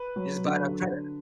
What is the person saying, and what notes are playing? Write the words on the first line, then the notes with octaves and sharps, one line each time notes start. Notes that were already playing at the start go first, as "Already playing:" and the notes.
You just buy it on credit,
Already playing: B4
F#3
D3